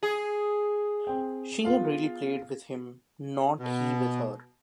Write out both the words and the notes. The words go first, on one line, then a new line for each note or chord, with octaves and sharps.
She had really played with him, not he with her.
G#4
C4 G5
B3 F4 F5
B2